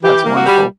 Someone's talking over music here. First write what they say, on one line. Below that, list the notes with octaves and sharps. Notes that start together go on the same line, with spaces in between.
That's wonderful.
E3 G4
A#3
F#4
G3